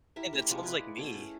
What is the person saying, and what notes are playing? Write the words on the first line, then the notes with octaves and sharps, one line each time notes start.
And that sounds like me.
E4 G4 A#4 E5
A3 C#4 G4 A#4
C3 F3 G#3
E4 G#4 B4 D5
B2 A3 E4 G#4
C#4